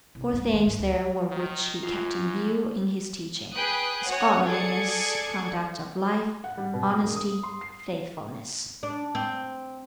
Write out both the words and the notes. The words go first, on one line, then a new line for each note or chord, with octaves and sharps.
Four things there were which he kept in view in his teaching--scholarliness, conduct of life, honesty, faithfulness.
C2
G2
D#3
G#2
C#2
D#3
F#2 F4
G#4 B4 G5 D#6 F#6
F#4 C#5 F#5 G#5
G#4 A4 D5 G#6 C#7
F#5
G3
B2
D#6
E1
D#6
C6
C7
D4
C4